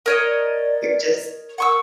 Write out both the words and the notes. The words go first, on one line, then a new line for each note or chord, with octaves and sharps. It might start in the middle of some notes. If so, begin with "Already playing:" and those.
you're just
A#4 C#5 D#5
D5
A#4 F#5 C#6 E6